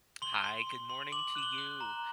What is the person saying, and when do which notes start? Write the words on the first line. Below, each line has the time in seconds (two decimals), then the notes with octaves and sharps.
Hi, good morning to you.
0.22 C6 G7
0.44 C6
0.67 C6
0.90 C6
1.12 D6 F#7
1.35 F#6 F#7
1.43 G7
1.58 F#6
1.80 A#5